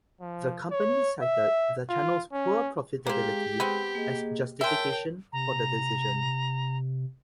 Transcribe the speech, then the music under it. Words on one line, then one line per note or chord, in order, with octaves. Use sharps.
The company cited the channel's poor profitability as justification for the decision.
F3
C#5
E5
F4
C#4
G#3 A#3 C4 G4 G#4
B3 C4
A#3 G#4 D#5
G#3 A#4 C#5 E5 G5 A5
C3 A#5